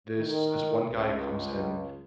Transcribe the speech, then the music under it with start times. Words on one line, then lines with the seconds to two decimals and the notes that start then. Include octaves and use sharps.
this this one guy comes in
0.18 D#3
0.89 C#2